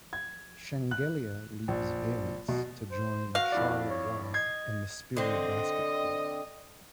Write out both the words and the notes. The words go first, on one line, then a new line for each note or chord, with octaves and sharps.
Shengelia leaves Valence to join Charleroi and the Spirou Basket Club.
G#6
F#6
A#1
B2
C5
F#4 F5 A#6
F2 E4 D5
C#5
D#5 G#6 C7
D3 C4 D#5